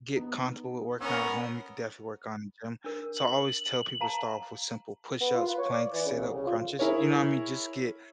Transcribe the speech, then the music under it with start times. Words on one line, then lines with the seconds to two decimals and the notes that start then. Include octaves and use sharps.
get comfortable with working out at home, you could definitely work on the gym. So, I always tell people to start off with simple push-ups, planks, sit-up, crunches, you know what I mean? Just get
0.16 B3 D#4
1.01 B3 C#4 A#4 C#5 E6
2.84 D4 A#4
3.16 F#7
4.01 F5 A5 A#5
5.20 B3
5.34 F4
5.46 B4
5.57 C#5
5.71 D5
5.93 E3
6.05 C#3
6.17 C2
6.34 C#3
6.46 F4
6.79 E4 G#4 A#4 C#5